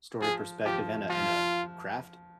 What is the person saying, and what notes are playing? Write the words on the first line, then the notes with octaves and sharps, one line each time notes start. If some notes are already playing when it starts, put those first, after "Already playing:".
story perspective and a and a craft.
F3 G#4
F3 G4
F3 F4